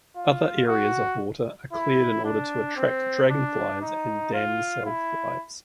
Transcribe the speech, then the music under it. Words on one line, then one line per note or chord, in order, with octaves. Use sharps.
Other areas of water are cleared in order to attract dragonflies and damselflies.
F4
F#4
E4
D4
C4
D4
D#4
F4
E4